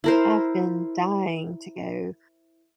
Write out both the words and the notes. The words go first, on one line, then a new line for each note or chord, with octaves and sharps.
I've been dying to go.
E4 A#4 C5